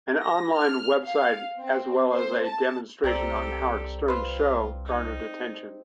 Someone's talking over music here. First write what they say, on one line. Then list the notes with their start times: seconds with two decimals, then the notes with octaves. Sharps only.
An online website as well as a demonstration on Howard Stern's show garnered attention.
0.21 A#6
0.56 F6
1.02 F5
1.59 C4
2.11 C5
2.47 A5
3.04 C2 C4 G4 A4 D5 A#5
4.08 F4 B4 C5
4.86 D#4